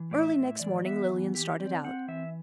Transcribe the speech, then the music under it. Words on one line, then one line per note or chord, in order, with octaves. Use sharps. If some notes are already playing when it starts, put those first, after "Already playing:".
Early next morning Lilian started out.
Already playing: E3
A2 D5
E5
A2
E3 D5
B3 E5
E3
E3 G4
C4 D5
C4 F#5
E3 E5